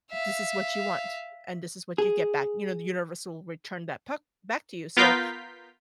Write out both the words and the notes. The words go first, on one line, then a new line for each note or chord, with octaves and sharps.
This is what you want, and this is what you get back. You know, the universe will return that puck back to you, so,
E5 F5
G#4
B3 F4 A#4 F5 G6 B6